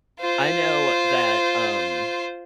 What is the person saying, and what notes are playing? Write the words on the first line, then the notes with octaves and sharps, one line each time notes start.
I know that, um
F4 C5